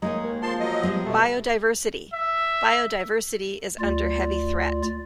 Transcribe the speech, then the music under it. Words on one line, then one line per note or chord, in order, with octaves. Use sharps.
Biodiversity: Biodiversity is under heavy threat.
G#3 A#3 D#4 C#5
D#2
F3 A5 C6
F#3 D#5
G3 G#3 B3
B2 A3
E5
D2 F4 D5